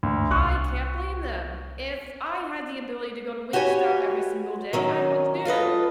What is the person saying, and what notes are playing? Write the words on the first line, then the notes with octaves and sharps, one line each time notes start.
I can't blame them. If I had the ability to go to Wingstop every single day, I would too.
D2
C2 C#6 F#6
F#4 G4 B4 C#5 G#5
D#3 F#3 C#4
F4 A4 B4 D#5